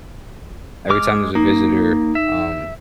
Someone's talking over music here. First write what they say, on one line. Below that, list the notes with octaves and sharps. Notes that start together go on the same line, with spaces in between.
every time there's a visitor, um,
G#3 D6 F6
A#3 D#4
E5